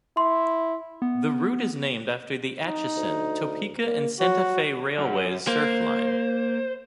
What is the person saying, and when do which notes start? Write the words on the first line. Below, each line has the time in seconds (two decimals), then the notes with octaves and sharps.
The route is named after the Atchison, Topeka and Santa Fe Railway's Surf Line.
0.17 E4 C6
1.02 B3
2.65 D#4
2.97 D2
3.87 A#3
4.20 F#3 F#4
4.98 F#2
5.47 A#3 C5